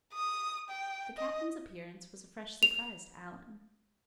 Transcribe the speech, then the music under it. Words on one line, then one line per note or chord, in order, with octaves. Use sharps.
The Captain's appearance was a fresh surprise to Alan.
D#6
G5
D#5
F7